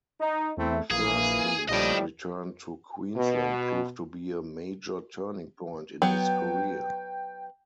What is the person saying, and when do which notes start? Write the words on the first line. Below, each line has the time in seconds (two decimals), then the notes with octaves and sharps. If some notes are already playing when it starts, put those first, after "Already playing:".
Thurston's return to Queensland proved to be a major turning point in his career.
0.20 D#4
0.57 E2 A3 C4 E4
0.91 A#1 E3 A#3 G#4
1.69 A#1 A2 F3 G3 D#5 G5
3.16 B2
6.02 F#3 B3 G5